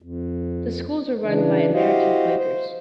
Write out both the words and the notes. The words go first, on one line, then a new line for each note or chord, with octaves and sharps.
The Schools were run by American Quakers.
F2
C#3 E3 D4
E4 F#4 G4 C5 D#5 F5
C5